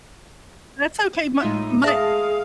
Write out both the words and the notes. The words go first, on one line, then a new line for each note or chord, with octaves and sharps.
That's okay. My my m
A2 G#3 D#4 F4 E5
G#3 G#4 E5 F5 A5 D#6